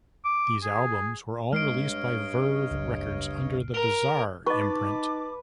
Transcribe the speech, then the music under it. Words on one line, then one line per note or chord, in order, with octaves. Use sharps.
These albums were all released by Verve Records under the Bizarre imprint.
D6
G#4
G2 G#3 C#5 D#5 F6 C7 D7
F#1 C#2
A#4 D7 F7 G7
D#4 B4 D#5 A5 C#6 D6